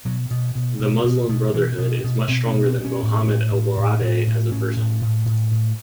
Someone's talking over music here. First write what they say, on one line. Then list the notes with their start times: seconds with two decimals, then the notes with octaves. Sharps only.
The Muslim Brotherhood is much stronger than Mohamed ElBaradei as a person.
0.05 B2 F#3
0.31 B2
0.55 B2
0.79 B2
1.04 B2
1.29 B2
1.53 B2 E3
1.78 B2
2.04 B2
2.28 B2 C4
2.47 C#4
2.53 B2
2.66 C4
2.78 B2
2.85 C#4
3.03 A2
3.28 A2
3.52 A2
3.77 A2
4.01 A2
4.27 A2
4.51 A2 C#4
4.76 A2
5.01 A2
5.26 A2
5.51 A2